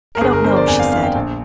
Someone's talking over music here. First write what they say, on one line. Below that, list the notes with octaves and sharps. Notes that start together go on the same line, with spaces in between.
"I don't know," she said.
A#4
G1 G#4
A#4
G1 C5
D5
F2 G#5
F5
G1 F5
G5
A#1